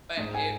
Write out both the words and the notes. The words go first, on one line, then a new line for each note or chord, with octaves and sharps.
But it
G#2 G#3
G#5